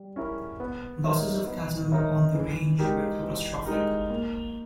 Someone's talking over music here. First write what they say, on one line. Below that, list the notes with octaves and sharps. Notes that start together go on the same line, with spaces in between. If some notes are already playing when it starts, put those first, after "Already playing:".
Losses of cattle on the range were catastrophic.
Already playing: G3
C#4 E4 A#4
B3
D#4 A#4 C#5 E5
B3
D#4 A#4 C#5 E5
E3
G#3 D#4 G4 A#4
E3
G#3 D#4 G4 A#4
A#3